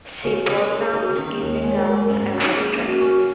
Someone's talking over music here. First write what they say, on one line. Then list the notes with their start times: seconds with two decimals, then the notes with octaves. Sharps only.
See ball gowns, evening gowns, and wedding dresses.
0.24 C#3 F#4
0.39 F#4
0.47 C#3
0.70 D#4 A#4
0.86 G#4
0.92 D#4
1.01 F#4
1.16 D#3 C#4
1.31 A#3
1.40 D#2
1.47 A#3
1.62 G#3 A#3
1.70 C#5
1.78 A#4
1.86 G#3
1.94 A#4
2.09 G#2 C#4
2.20 A#3
2.32 F#3 C#4
2.43 D#4
2.55 A#3 G#4
2.71 C#4
2.78 A#3
2.86 F#4
3.01 C#4